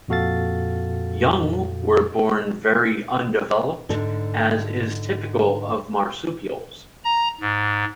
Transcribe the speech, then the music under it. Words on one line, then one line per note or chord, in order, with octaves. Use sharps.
Young were born very undeveloped, as is typical of marsupials.
F2 A#2 F#4 A4 F5 A6
G#2 D3 A4
A#5
G#2